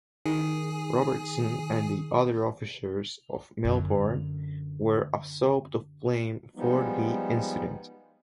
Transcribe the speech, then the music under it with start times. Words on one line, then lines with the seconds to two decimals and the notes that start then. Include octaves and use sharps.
Robertson and the other officers of "Melbourne" were absolved of blame for the incident.
0.26 D#3 G#4
3.65 F#2 D3
6.56 F3 G3 G#3 B3 D#4